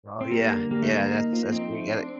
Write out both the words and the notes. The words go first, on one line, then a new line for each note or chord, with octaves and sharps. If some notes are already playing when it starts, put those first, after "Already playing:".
Oh, yeah. Yeah, that's that's what you gotta
C4
G3 A#3
D3
G3 A#3
A3
D3 A#3
D#4
F3
C4 D#4
A3
D4